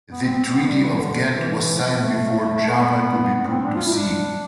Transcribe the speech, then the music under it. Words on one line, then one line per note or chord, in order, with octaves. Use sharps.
The Treaty of Ghent was signed before "Java" could be put to sea.
B3
C4
B3
G3
E3
D3
E3
F3
A3
B3
B3
D4
C4
D4
F4
E4
D4